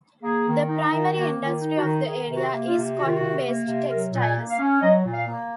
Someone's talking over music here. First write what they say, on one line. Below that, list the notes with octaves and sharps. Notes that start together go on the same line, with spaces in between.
The primary industry of the area is cotton-based textiles.
A#3 G#4
D#3
D#4
D#3
A#3 F#4
D#3
F4
D#4
F#4
D#3
D#3 G#4
C3
F#4
A#3
F4
C3
D#3 F#4
F4
F#4
C3
A#3
C3
F#3 A#4
A#2
G#5
A#3
F5
C#4
F#3 D#5
A#2
F5
A#3